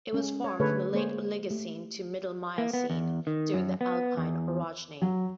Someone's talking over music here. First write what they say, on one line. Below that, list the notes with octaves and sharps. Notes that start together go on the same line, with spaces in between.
It was formed from the late Oligocene to middle Miocene, during the Alpine orogeny.
G#3 C#4
C#5
D3 A3 G#4 A4 B4 C#5
G#3 A#3 G#4 C5 C#5
A3 G4
A#3
B3
E2
D#3
F#2
B3
E2
F#3